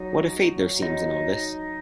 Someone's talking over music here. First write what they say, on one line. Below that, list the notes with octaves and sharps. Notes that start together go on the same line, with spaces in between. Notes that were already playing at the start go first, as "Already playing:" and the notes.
What a fate there seems in all this!
Already playing: F#3 D#4
D#4